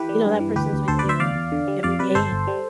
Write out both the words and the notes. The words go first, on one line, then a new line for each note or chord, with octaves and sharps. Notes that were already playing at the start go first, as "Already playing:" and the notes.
you know, that person's with you every day
Already playing: E3 G4 B4
G3
G2
E3
D2 G4 B4
D2
D2 A4 C5
B4 D5
D2 C5 E5
E2 D5 F5
E2
D3
G3
F2 D5 F5
C3 B4 D5
G1 A4 C5
G1
G3